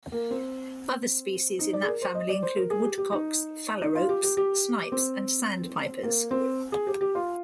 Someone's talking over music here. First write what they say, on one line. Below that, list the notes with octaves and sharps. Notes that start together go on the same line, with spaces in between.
Other species in that family include woodcocks, phalaropes, snipes, and sandpipers.
A#3
C4
D#4
D5
G#4
A#4
C5
D#5
D5
C5
A#4
G#4
G4
G4
D#4
D#4
F4
G4
G4
G4
C4
A#3
C4
G#4
G4
G4
F4